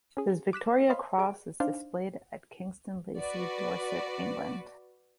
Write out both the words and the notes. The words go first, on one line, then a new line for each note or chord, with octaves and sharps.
His Victoria Cross is displayed at Kingston Lacy, Dorset, England.
C#4 G#4
D6 F#6 B6 E7
C5 C#5 D#5 F5 B5 C6
G#4 D5 D7
D4 D#4 C5 D5 F5
F#4 B4 D5